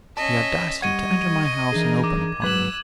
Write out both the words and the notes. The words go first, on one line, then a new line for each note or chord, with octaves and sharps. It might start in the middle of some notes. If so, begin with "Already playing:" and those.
The audacity to enter my house, and open upon me!
C#4 D#5 E5 A5
G3 D#5 F#5 C#6 G#6 D#7
E3 D4 D#4 G#4 A#4
D6
G#2 F#3 B4 E6 F#6 G#6 F#7